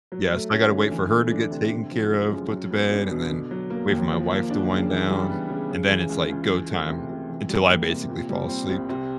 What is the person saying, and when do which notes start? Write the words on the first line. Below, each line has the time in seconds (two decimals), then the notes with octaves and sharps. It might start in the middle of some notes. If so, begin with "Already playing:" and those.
Yes. I gotta wait for her to get taken care of, put to bed, and then wait for my wife to wind down. And then it's, like, go time until I basically fall asleep.
0.12 F#3
0.32 A3
0.52 C#4
0.72 D3
0.91 E3
1.11 A3
1.32 D4
1.51 C3
1.72 D3
1.91 F3
2.12 G#3
2.31 F#2
2.51 F#3
2.70 B3
2.91 D4
3.10 B2
3.31 D3
3.51 F#3
3.70 A#3
3.91 D#2
4.11 F3
4.31 A#3
4.50 D4
4.70 C#3
4.90 E3
5.10 G3
5.30 B3
5.50 C#3
5.70 C#3
5.89 E3
6.09 C#2
6.29 C#2
6.49 E3
6.70 A3
6.90 C3
7.10 C3
7.30 E3
7.49 G3
7.70 A#3
7.89 C3
8.09 A#2
8.29 G3
8.49 C4
8.69 C2
8.89 C3